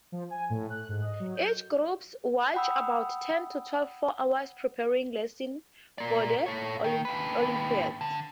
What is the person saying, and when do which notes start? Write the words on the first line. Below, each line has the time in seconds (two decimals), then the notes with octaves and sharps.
Each group watches about ten to twelve-four hour preparing lessons for the olympiad.
0.12 F3
0.30 G#5
0.50 A2
0.70 F#6
0.89 G#2
1.02 D#5
1.20 F#3
1.36 G6
2.54 F#5 G5 B5 D#6 E6
5.98 A#4 D5
6.46 A4 C#5
6.84 D#3
7.05 D#2 B4
8.01 D3